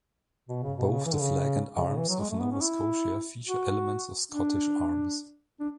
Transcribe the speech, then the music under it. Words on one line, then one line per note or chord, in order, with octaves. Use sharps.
Both the flag and arms of Nova Scotia feature elements of the Scottish arms.
B2
C#3
B2
C#3
E3
D3
C#3
C#3
C#3
E3
F#3
G#3
A3
B3
C#4
E4
F#4
D4
D4